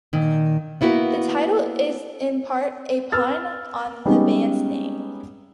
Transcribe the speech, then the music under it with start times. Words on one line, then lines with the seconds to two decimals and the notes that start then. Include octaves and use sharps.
The title is in part a pun on the band's name.
0.13 A#2 D#3
0.81 A#3 B3 E4 F#4 A#4
3.12 B4 E6 F6 A6
4.05 G3 G#3 B3 C#4 D#4